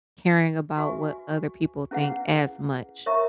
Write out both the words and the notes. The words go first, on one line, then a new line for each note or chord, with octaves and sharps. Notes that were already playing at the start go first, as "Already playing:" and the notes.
caring about what other people think as much.
F#4 B4 E5 G#5 C#6
C#4 E4 G#4 B4 F#5
A#4 C#5 E5 A#5 C#6